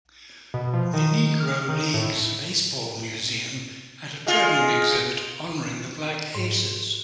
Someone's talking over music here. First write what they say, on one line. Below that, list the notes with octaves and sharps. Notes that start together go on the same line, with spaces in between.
The Negro Leagues Baseball Museum had a traveling exhibit honoring the Black Aces.
B2
F3
D#3
F6
D#3
A2
G#3 F4
G#2